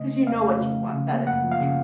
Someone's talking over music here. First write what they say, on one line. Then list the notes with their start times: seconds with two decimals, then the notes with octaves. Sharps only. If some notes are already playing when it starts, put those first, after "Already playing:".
‘Cause you know what you want. That is for true.
Already playing: C#3 A3 D#5
0.11 C#4
0.27 F2 F5
0.44 A3
0.61 C#3
0.77 F3
0.94 C#3
1.10 A#3
1.27 F#2 F#5
1.44 F3
1.52 F5
1.60 C#3